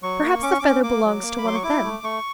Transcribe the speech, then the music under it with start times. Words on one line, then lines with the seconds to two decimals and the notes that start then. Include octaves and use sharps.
Perhaps the feather belongs to one of them.'
0.02 F#3 C#6
0.23 A#3
0.42 C#4 D6
0.51 C#6
0.60 C#4 D6
0.83 A#3 D6
1.04 F#3
1.23 A#3
1.38 B5
1.44 F#3 C6
1.55 C#6
1.63 E4 D6
1.83 A3
2.03 A3 C#6